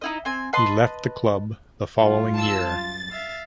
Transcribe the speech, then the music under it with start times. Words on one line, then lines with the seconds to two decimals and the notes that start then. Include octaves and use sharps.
He left the club the following year.
0.01 D#4 E4 D#5
0.25 C4 G#5
0.53 B4 D#5 A5 C6
1.98 G2 G3 F4
2.35 A5 E6
2.69 F#2 A6
3.12 E5 F5